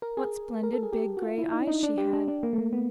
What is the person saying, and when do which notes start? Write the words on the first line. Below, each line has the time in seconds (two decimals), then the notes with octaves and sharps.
What splendid big grey eyes she had!
0.02 A#4
0.17 G#4
0.63 A#4
0.73 A4
0.83 G#4
0.93 G4
1.17 F#4
1.22 F4
1.38 E4
1.53 D#4
1.61 D4
1.67 D#4
1.83 D4
1.98 G4
2.13 D4
2.28 D4
2.43 A#3
2.53 A3
2.58 A#3
2.73 B3